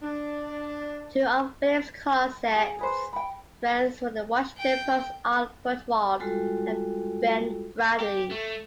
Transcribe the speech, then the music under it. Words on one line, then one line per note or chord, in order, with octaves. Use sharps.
Two of Williams' closest friends were the Washington Post's Art Buchwald and Ben Bradlee.
D4
G#4
G#4 B4 C5
G5 B5
G5
G3 G#3 F4 F#4 A4
G4
A3